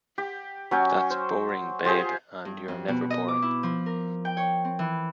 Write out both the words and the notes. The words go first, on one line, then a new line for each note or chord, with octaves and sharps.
That's boring, babe, and you're never boring!
G4
F#3 C#4 G5 G#5
C5
F4 G4 G#4 C5
G2
F2
B2
D#5
D6
E4
F3
A#4
G5
C#5
C4
E3